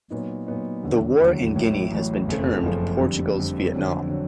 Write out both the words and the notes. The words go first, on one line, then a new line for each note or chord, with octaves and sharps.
The war in Guinea has been termed "Portugal's Vietnam".
A#2 F#3 B3 D#4
A#2 F#3 B3 D#4
E1 D#2 D3 F#3
E1 D#2 D3 F#3
A1 A2 F#3
A1 A2 F#3
F#1 F2 C#3 F3 A3
F#1 F2 C#3 F3 A3
F2 D3 G3
F2 D3 G3
F2 D3 F#3
D3 F#3